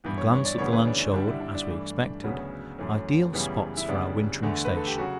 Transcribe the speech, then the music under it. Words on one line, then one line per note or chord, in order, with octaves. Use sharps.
A glance at the land showed, as we expected, ideal spots for our wintering station.
G2 E3 B3
C#5
C#5
D5
D2 C#3 E3 B3 C#5
B4
D4
D4
G2 D3 G3 D4
E4
D4
D4
G2 E3 A3
D2 C#3 F#3 B3
F#2 E3 A3 C#4
F#2 C#3 E3 G3 B3
E4
D2 C#3 G3 B3 D4
E2 D3 A3
B4
A4
G4
C#3 F#3 F#4